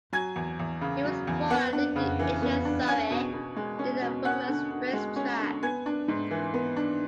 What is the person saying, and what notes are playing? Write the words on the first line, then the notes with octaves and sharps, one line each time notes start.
He was born and lived in Esher, Surrey, near the Brooklands race track.
F#3 G#5 G#6
E2
E2
C#3
F#3
E2
B3 F#5 F#6
D4
C#3
E3
B3
D4
C#4 G#5 G#6
B2
B2
G#3
C#4
B2
C#4 F#5 F#6
D3
D3
G#3
C#4
D3
B3 G#5 G#6
D4
G#2
E3
B3
D4